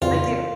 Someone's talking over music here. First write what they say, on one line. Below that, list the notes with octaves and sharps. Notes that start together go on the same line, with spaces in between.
I do.
F2 C#3 E3 G3 C4 F4